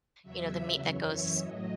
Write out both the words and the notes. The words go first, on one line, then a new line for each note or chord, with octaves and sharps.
you know, the meat that goes
E2 C#3 F#3 E5
F#2 E3 C#5
E5
A2 F#3 D#5